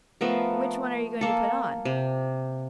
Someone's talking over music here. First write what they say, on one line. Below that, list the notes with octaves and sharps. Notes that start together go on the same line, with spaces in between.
"Which one are you going to put on?"
F3 A3 B3 A#4
A#3 A4
C3